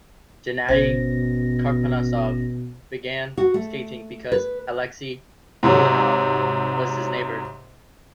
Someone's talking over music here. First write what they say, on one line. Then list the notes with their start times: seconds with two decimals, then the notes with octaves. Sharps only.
Gennadi Karponosov began skating because Alexei Ulanov was his neighbor.
0.69 G#1 B2 C#4 C5 A#6
3.38 F#4
3.54 A3
4.32 B4
5.63 G#2 C3 F#3